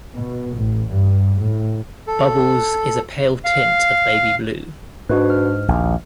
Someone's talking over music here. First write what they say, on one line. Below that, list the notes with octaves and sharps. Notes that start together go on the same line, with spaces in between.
Bubbles is a pale tint of baby blue.
B2
A1
G2
A2
A4
F5
G#2 D4 F#4 B4
F6
A#1 D#2